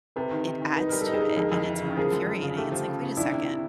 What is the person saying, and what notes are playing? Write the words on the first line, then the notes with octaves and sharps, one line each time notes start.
it adds to it, and it's more infuriating. It's like, "Wait a second.
C3 A4 B4
D#3
D#3
D#3
D#4 B4
G3 A#4
A4
D#4
G#4 A#4
D#4
F2 G#4 A#4
F2
E3
C#3
F3 G#4 A#4
F#2
F#2
C#3
A3 G4 A4
F3
C#3
C#3
D#3 D4 E4
C3
D#3